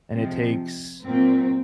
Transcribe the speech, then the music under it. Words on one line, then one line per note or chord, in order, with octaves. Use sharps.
and it takes
C3 F3 G#3 C4
A#2 F#3 A#3 C4